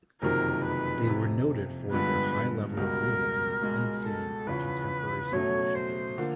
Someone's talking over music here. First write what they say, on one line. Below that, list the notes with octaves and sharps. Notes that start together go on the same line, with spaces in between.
They were noted for their high level of realism unseen in contemporary simulation games.
F#1 F2 C3 D#3 F#3 A#4
B4
F2 C3 F3
G2 D3 F3 G#3 B3 B4
C#2 B2 G3 A#4
C#2 B2 G#3
A4
E2 C#3 F3 B4
B2 F#3 A3 C#4 C#5
C5
D3 F3 A#3